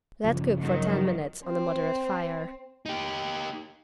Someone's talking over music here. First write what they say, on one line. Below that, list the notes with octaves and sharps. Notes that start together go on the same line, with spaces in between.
Let cook for ten minutes on a moderate fire.
G2 C#3 F3
D#3 F#3
C4
D#4 G4